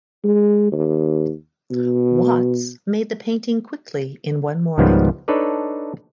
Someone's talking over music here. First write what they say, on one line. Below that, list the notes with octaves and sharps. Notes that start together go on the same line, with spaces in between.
Watts made the painting quickly in one morning.
G#3
D#2
B2
C#2 G#2 D#3 F3 G3 B3
D4 D#4 A4 B4 C#5 D5